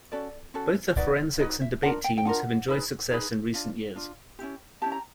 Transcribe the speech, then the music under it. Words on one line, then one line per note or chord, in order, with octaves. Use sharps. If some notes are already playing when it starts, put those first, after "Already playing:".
Both the forensics and debate teams have enjoyed success in recent years.
C#4 F#4 A4 D5
C#4 F#4 A4
D#4 F#4 B4 D5
D#4 F#4 B4 D#5
E5
D4 F4 A#4 F#5
G5
G5
D4 F4 A#4 F#5
D#4 G#4 B4
D#4 G#4 B4
D4 F4
D4 F4
C#4 E4 G4
C#4 E4 G4 A5
A#5